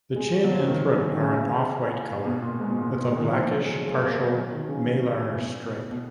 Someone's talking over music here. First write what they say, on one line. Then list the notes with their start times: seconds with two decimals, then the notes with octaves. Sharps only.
The chin and throat are an off-white color with a blackish partial malar stripe.
0.16 G#3
0.44 F#3
0.51 F3
0.68 D#3
1.15 D#3
1.20 C#3
2.25 B2
2.42 A#2
2.60 G#2
2.70 B2
2.77 A#2
2.90 B2
2.99 A#2
3.04 B2
3.16 D#3
3.29 F3
3.47 F#3
3.64 G#3
3.82 G#3
3.91 A#3
3.95 G#3
4.07 A#3
4.34 F#3
4.52 D#3
4.68 C#3
5.39 B2
5.91 B2